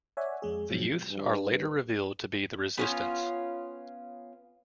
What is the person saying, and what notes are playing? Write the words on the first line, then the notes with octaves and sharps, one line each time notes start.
The youths are later revealed to be the Resistance.
C#5 D5 E5 F#5 G#5
F2 G#3 G#4
G#2 B2 F3 F#3
G2
B3 C#4 F4